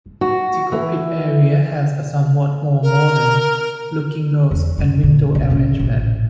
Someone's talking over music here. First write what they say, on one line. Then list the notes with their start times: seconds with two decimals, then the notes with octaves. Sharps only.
The cockpit area has a somewhat more "modern" looking nose and window arrangement.
0.21 F#4
0.72 E3
2.82 A#4
4.51 E2
4.78 F#2 G#3
5.03 A#2
5.35 B1
5.50 A1 C#4
5.79 A1 A#2